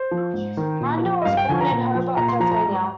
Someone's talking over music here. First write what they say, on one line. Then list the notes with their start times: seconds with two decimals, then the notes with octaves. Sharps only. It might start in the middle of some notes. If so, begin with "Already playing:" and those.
Randell was born in Hobart, Tasmania.
Already playing: C5
0.11 F3
0.34 G#2
0.57 D#3
0.81 A#2
1.03 F3
1.22 D#5
1.25 G2 F5
1.37 G5
1.49 D3 F3 G#5
1.61 A#5
1.71 A#2
1.95 F3
2.17 A#2 A#5
2.28 C6
2.40 F3 A#5
2.52 A#5
2.64 G#2